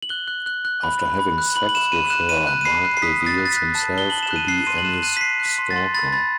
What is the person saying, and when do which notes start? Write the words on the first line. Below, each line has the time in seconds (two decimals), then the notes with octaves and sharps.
After having sex with her, Mark reveals himself to be Annie's stalker.
0.02 F#7
0.09 F#6 G7
0.28 F#6
0.46 F#6
0.65 F#6
0.84 B5
1.02 B5
1.19 B5
1.38 F#6
1.56 B5 F#7
1.69 F#7
1.74 B5 E7
1.92 B5 D#7
2.10 F#6 E7
2.29 B5 D#7
2.47 F#6
2.61 D#7
2.65 B5 C7
2.84 F#6
2.97 C7
3.02 D#6 B6
3.20 D#6
3.26 A6
3.38 F#6
3.45 A6
3.51 B6
3.57 F#6
3.75 A5
3.94 A5 G7
4.10 A5 F#7
4.23 E7
4.31 F#6
4.36 D#7
4.48 F#6 C7
4.67 C6 D#7
4.78 F#7
4.85 F#6 E7
5.03 F#6 D#7
5.17 B6
5.21 F#6 C7
5.40 F#6
5.46 B6
5.58 C6
5.71 A6
5.76 C6
5.94 B5 A6
6.12 B5 A6